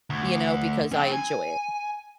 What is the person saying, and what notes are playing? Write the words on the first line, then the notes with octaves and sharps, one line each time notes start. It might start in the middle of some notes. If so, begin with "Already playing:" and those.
you know, because I enjoy it.
D2
C#4 G5
G#5